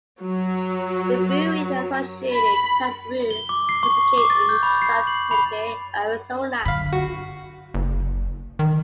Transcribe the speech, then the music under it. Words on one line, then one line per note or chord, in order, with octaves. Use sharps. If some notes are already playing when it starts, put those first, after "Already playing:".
The brewery and associated tap room was located in South Tempe, Arizona.
F#3
B5
G7
D6
C7
C#6
D6
A6
G6
B5
C7
F#7
B5
F#2 D3 F5 B5
F#4
F#1
D#3